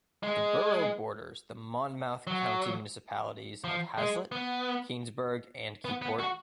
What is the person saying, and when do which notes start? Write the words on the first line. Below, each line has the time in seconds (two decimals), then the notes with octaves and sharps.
The borough borders the Monmouth County municipalities of Hazlet, Keansburg and Keyport.
0.23 G#3
2.27 F#3
3.64 F3
3.98 G#3
4.32 B3
5.85 B3
6.02 B3
6.20 F#4